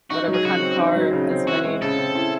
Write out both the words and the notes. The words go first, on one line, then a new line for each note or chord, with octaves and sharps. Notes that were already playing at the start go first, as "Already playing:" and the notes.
whatever kind of car, as many
D#4 F#4
F#3
G#4
C#3 F#4
C4
D#4
F#3
C#3
C4
E4 F#4
G#3
C#3 A4
C4
E4